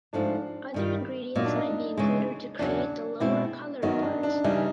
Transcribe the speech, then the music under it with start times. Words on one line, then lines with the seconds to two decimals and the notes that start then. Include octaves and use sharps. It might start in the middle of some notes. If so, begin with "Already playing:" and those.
Other ingredients might be included to create the lower coloured part.
0.13 G#2 F3 A3 D4
0.74 G2 D#3 G3
1.36 A#2 F#3 A#3 D#4
1.46 D4
1.56 D#4
1.98 C#3 E3 G#3
2.59 E2 C#3 F#3 D4
3.20 B2 G#3 C4 E4
3.82 F#2 D#3 F#3 B3 D#4
4.02 D4
4.23 D4
4.44 C#3 E3 G3 D#4